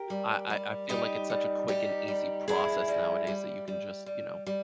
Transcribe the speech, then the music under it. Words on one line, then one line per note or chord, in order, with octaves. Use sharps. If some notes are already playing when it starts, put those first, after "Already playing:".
I I I feel like it's such a quick and easy process nowadays that you can just, you know,
Already playing: G4 A#4
G3
G3
G3 D#4 G4
G3
G3 D#4 G4
G3
G3 E4 G#4
G3
G3
G3
G3
G3